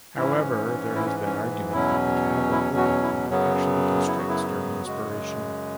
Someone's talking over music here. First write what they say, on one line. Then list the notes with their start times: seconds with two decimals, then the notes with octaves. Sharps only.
However, there has been argument that the caval opening actually constricts during inspiration.
0.17 G#2 E3 C#4 E4
0.95 E4
1.05 C#4
1.26 C#4
1.73 E2 B2 F#3 C#4 E4
2.52 E4
2.77 F#4
3.03 E4
3.29 F#2 C#3 F#3 B3 C#4
4.07 E4
4.18 F#4
4.28 E4
4.85 F#2 C#3 G#3 F#4